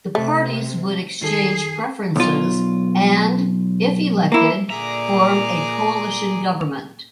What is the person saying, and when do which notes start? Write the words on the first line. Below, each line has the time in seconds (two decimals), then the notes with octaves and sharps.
The parties would exchange preferences and, if elected, form a coalition government.
0.15 C3 A3
1.22 D#3 G#4 A4 C7
2.16 B1 F4
4.32 A#3 E4
4.70 A#2 D3 G#4 E5 A#5 D6